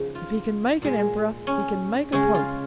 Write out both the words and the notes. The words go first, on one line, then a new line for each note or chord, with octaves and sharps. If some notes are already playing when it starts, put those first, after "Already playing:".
If he can make an emperor, he can make a pope.
Already playing: C#3 F3 G#3 D#4
F4
A#2 G#3
C#4
C#3 G#3 C#4
F4